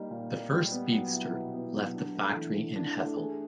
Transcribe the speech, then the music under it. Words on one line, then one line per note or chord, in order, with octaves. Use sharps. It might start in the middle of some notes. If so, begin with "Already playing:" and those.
The first Speedster left the factory in Hethel.
Already playing: G3 A#3 D#4
A#2
A#3
G3
B3
F#3
E4
B2
B3
F#3
D4
A3
E3
E3
D4
A3
G#4